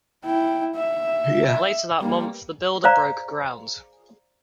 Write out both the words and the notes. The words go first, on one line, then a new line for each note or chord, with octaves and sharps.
Later that month, the builder broke ground.
E4 G5
E5
G3 A#3
C5 D5 F5 A#5